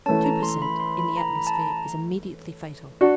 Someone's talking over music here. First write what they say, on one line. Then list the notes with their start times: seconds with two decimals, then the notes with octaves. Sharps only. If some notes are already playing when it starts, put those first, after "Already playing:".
Two per cent. in the atmosphere is immediately fatal.
0.06 E3 A3 C#4 A5
0.24 A#5
0.43 C6
0.62 B5
0.80 C6
0.99 B5
1.17 A#5
1.35 B5
1.47 A5
1.54 A#5
3.01 D4 F#4 F#5